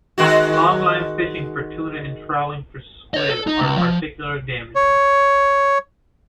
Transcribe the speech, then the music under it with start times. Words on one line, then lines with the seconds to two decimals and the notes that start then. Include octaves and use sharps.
Longline fishing for tuna and trawling for squid are particularly damaging.
0.18 D#3 G#3 F#4
3.14 C#5 D#5
3.29 A4
3.47 D#4 D#5
3.61 C#2
3.78 F3
4.75 C#5